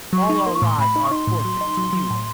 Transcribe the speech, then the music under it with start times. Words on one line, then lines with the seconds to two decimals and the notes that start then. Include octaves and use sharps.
All our lives are forfeit to you.
0.13 F#3 C#6
0.29 D#4
0.46 A#3 C6
0.55 C#6
0.62 A2 C6
0.79 A2 B5
0.96 D#4
1.04 C#6
1.11 D#4 C6
1.27 A2
1.45 F#3
1.61 D#4
1.77 F#3
1.93 F#3
2.10 A2